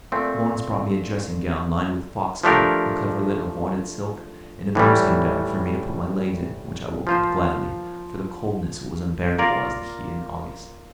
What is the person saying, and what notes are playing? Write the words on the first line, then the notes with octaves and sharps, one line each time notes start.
Lawrence brought me a dressing-gown lined with foxskin, a coverlet of wadded silk, and a bear- skin bag for me to put my legs in, which I welcomed gladly, for the coldness was unbearable as the heat in August.
A#2 A3 C4
F3 A3 D4 G4 A#4
A2 E3 G3
F3 A#3 F4 C5
A#3 F4 A#4 D5